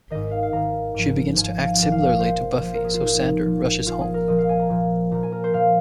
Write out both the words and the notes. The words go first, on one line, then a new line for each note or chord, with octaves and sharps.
She begins to act similarly to Buffy, so Xander rushes home.
G#2 D#3 D#5
F5
F5
G#2 D#3 A#5
G#2 F3
G#2 F3 G#5
G#5
F5
G#5
A#2 F3 F5
F5
D#5
A#2 F3 C5
A#2 F3 C5
A#4
G#4
F4
A#2 F3 D#4
A#2 F3
A#2 F3 F4
G#4
A#4
A#2 F3 D#5
F5
G#5
A#5
A#2 F3
A#2 F3 A#5
G#5
A#4
C5
A#2 F3 F5